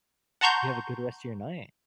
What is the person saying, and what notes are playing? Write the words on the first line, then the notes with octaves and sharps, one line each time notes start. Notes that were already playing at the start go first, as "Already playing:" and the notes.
You have a good rest of your night.
F#5 A5 A#5 C6 C#6 G6